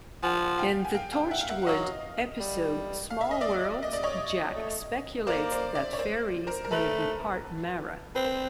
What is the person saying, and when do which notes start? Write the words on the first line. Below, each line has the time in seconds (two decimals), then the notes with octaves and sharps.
In the "Torchwood" episode "Small Worlds", Jack speculates that "fairies" may be "part Mara".
0.22 F3 F#5 G#5
0.58 F5 G5
0.85 G#5
0.94 F5 G5
1.13 F5 G5
1.31 E5 F#5
1.41 F5
1.49 E5 F#5
1.62 F#5
1.66 F#3 D#5 F5
2.40 G3
3.10 F5
3.21 E5
3.31 D#5
3.41 D5 E5
3.83 D#5
3.93 D5
4.03 C#5 D#5
4.55 A3
5.27 A#3 C5 D5
5.51 C5 D5
5.75 D5 E5
5.93 C#5
5.99 C5 D5
6.47 A#4 C5
6.65 A#4
6.71 A3 A4 B4
8.15 C4 B4
8.25 C5